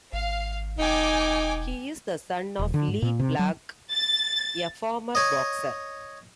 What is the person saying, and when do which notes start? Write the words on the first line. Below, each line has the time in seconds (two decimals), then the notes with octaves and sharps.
He is the son of Lee Black, a former boxer.
0.13 G#1 F5
0.78 E1 D#4 G5 G#5 D6
2.59 D#1
2.74 D3
2.88 G#2
3.02 A#2
3.19 C3
3.39 F#3
3.94 A6
5.15 C#5 D#5